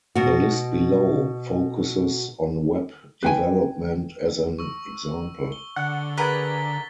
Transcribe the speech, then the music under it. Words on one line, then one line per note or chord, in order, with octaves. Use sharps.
The list below focuses on Web development as an example.
B2 F#4
B4 G5 G#5
C#6 E6
G7
D3 F#5
G#4 A#4 B4 F#5 A6 B6 G7